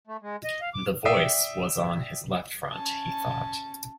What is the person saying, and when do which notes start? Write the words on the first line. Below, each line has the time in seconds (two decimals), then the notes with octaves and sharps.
The Voice was on his left front, he thought.
0.07 A3
0.22 G#3
0.44 D#5
0.61 F5
0.74 D6
1.05 D5 E5 G5 D#6 C7 D#7
2.72 C#4 A5